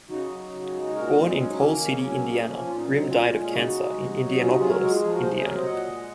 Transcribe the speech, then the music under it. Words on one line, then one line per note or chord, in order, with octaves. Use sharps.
Born in Coal City, Indiana, Grim died of cancer in Indianapolis, Indiana.
C#3 D#4 F#4
F#3
C#3
G#3
A#2 F#4 A#4
G#3 C4
F#3 C#4
D#4
D#3 A#3 C#4
C#3
F#3
G#3
F3
A#2 F4
D#4
F#3 C#4
C4 D#4
A#2 C#4 F4
G#3
C#3 D#4 F#4
G#3
C3
F#3
C3 C#4 F4
D#4 F#4
F#3 F4 G#4
F#4 A#4
G#3 F#4 A#4
F4 G#4
F3 F4 G#4
F#4 A#4
C3 G#4 C5
G#4 C5
F#3 A#4 C#5
C5 D#5
A#2 D#5 F#5
G#3